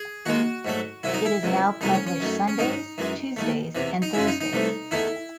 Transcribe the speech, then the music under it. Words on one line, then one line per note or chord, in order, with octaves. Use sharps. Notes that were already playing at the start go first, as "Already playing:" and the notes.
It is now published Sundays, Tuesdays and Thursdays.
Already playing: G#4
D#2 D#3 G#3 F#4
G#2 F#3 A3
C2 C3 F#3 E4
D#4
E4
C#2 C3 F#3
C2 C3 F#3 A3 D#4
C#4
C#4
F#2 D#3 A3
C#4
G#2 D#3 F#3 D#4
F#2 E3 G#3
D#2 D#3 A3
E2 C3 E3
D#4
F#2 C#3 G#3 E4
D#4
D#4
C2 C3 E3 A3
E2 D#3 A3 E4